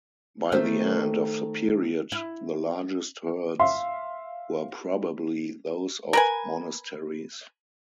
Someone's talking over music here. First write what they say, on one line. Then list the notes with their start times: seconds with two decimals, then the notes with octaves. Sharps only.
By the end of the period the largest herds were probably those of monasteries.
0.52 D#3 A3 C5
2.12 E4
3.59 E5 F5 C6
6.13 A#4 B4 G#5